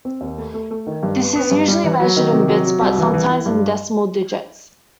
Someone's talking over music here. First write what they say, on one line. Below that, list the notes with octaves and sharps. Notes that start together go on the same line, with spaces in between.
This is usually measured in bits, but sometimes in decimal digits.
C4
D#2
A3
A3
A3
D#3
G2
B3
B3
G2
G3
E3
F#3
D#3
C3
F#3
F#3
C2
E3
E3
E4
G2